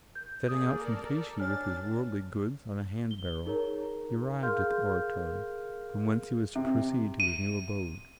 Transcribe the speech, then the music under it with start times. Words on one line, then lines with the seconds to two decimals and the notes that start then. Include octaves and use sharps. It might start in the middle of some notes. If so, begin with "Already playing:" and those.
Setting out from Clichy with his worldly goods on a hand-barrow, he arrived at the Oratory, from whence he was to proceed to his new abode.
0.15 G6
0.48 A#3 G#4 D5 D#6
0.78 A4 A#4 D5
1.40 D4 C#5 G#5 F6 A6
3.11 G7
3.46 D#4 G#4 A#4 C#5 A#5
4.42 G#4 A#4 F5 C6 F6 G6
6.55 C3
7.20 D#7